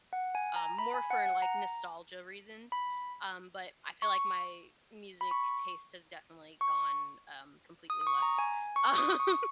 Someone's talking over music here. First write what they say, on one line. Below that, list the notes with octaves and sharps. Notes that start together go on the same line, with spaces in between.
um, more for like nostalgia reasons. Um, but I feel like my music taste has definitely gone, um, completely left, um.
F#5
G#5
A#5
B5
G#5
F#5
F#5
A#5
B5
C#6
B5
C#6
C#6
D#6
D#6
C#6
A#5
G#5
C#6
D#6
C#6